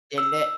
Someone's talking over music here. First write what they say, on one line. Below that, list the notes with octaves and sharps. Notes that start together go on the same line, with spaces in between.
Did it?
E6